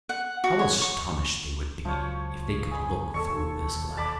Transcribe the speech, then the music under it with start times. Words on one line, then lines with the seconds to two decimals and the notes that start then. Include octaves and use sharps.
How astonished they would be if they could look through this glass!
0.09 F#5
0.44 F#4
0.59 C#5
0.81 C#6
1.85 C#2 F3 F#3 C#5
2.71 G#4 B5
3.14 E1 D#2 A4 C#5 C#6
3.97 A5 B5 D6